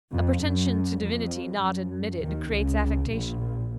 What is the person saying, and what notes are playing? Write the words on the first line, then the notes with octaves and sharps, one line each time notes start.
A pretension to divinity not admitted creates affectation.
F2
F#2
F2
F#2
D#2 D#3
C#2 C#3
A#1 A#2